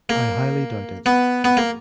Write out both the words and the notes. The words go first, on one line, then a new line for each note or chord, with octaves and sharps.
I highly doubt it.
A#3
B3
B3
A#3